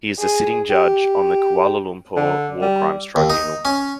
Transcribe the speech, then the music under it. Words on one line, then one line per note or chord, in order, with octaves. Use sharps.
He is a sitting Judge on the Kuala Lumpur War Crimes Tribunal.
G#4
G4
D3
G3
D#2
D#4
C#4